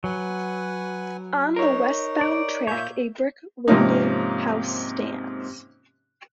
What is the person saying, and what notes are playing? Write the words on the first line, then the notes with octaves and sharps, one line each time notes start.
On the westbound track a brick waiting house stands.
F#3 B4 F#5 G#5
D#4 A#4 C#5
D5
A#2 A#3 C#5 E5 G6
G#2 C3 F3 A#3 C#4 D#4